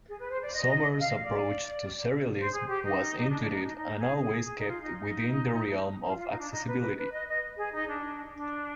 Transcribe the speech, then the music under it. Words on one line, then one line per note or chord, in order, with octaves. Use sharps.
Somers's approach to serialism was intuitive and always kept within the realm of accessibility.
G#4
B4
C5
D5
D#5
F5
D5
C5
G#4
G4
D#4
D#4
D4
D4
D#4
D#4
D#4
G#4
G#4
G#4
D#4
F4
D#4
D#4
F4
F4
D#4
D4
D#4
B4
B4
B4
D#5
D#5
G#4
D#4
D4
D4